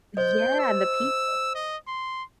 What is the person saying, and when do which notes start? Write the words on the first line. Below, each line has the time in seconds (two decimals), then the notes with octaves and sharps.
Yeah, and the people.
0.17 C5 D#5 G6
0.59 E6
1.54 D#5
1.87 C6